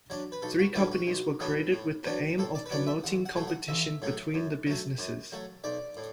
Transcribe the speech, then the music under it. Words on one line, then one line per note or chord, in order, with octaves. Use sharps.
Three companies were created with the aim of promoting competition between the businesses.
F#3 D4
B4
B1 A4
F#4
A2 F#3 B3 D4 E4
F#4
B1
A2 F#3 B3 D4
A2
F#3 B3 D4
A2 A4
D5
B4
F#3 B3 D4 D5
E5
A1 F#5
F#5
A2 F#3 A3
F#5
A1 E5
A2 F#3 A3
F#2
F#3 A3
F#2
F#3 A3
B1 D5
A2